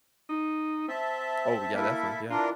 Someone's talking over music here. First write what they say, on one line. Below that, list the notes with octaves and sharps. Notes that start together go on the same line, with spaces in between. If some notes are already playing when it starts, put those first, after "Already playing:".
Oh, yeah, definitely, yeah.
D#4
C4 E5 A5
A#3 E4 A4 E5
E3 D4 F4 A#4